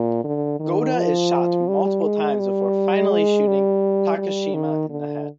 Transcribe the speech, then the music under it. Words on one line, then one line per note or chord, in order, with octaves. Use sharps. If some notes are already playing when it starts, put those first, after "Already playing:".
Goda is shot multiple times before finally shooting Takashima in the head.
Already playing: A#2
D3
D#3
F3
G3
G#3
G3
G#3
G3
G3
D#3
D3